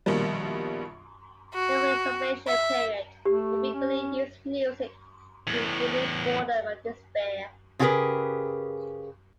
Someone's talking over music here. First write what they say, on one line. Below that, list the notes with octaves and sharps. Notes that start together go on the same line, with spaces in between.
During the reservation period, they frequently used music to relieve boredom and despair.
A#1 B2 D#3 F3 G3
F#4
E5
A3 G4
C#4
E2 A2
C#3 F4 G4 G#4 A#4 B4